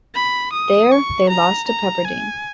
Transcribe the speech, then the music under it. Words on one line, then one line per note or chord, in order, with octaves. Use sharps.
There they lost to Pepperdine.
B5
D#6
C#6
A#5
A#5
G#5